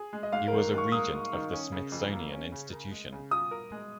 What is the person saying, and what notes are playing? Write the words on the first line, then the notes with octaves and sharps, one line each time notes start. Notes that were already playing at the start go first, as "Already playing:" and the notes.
He was a regent of the Smithsonian Institution.
Already playing: G#4
G#3
D#5
G#2 F5
A#4
D#3
G#2
C#6
A#3 D#6
G#2
D#3
C#4
C#3
F2
A#3
C#4
C#3
A#4
G#3
C#3
F4 D#6
A#4
G#3